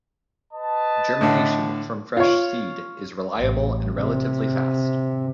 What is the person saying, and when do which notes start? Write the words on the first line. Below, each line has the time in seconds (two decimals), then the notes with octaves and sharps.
Germination from fresh seed is reliable and relatively fast.
0.53 B4 D#5 A5
1.21 A2 D3
2.17 F4 C#5
3.38 A1
3.97 C3